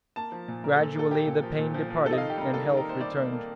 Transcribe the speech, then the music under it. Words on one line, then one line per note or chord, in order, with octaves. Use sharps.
Gradually the pain departed and health returned.
A#3 A5
F3
A#2
A#2 A#4
A#2 A4
A#3 A4
A#3 G4
A#2
F3
A#2
F3
F3
D#3 A4
D#5
D#3 F5
G4
G3 A#4
A#3 A4
A#4
D#3
A#4
A#3 C5
G3 D5
A#3
A#3